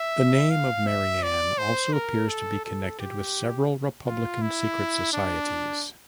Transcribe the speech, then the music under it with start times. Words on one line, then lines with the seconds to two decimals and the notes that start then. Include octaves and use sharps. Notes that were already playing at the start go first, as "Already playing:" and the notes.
The name of Marianne also appears to be connected with several republican secret societies.
Already playing: E5
0.51 F5
0.87 E5
1.23 D5
1.58 C5
1.93 A#4
2.29 A4
2.65 A4
2.99 G4
4.07 F4
4.42 E4
5.13 D4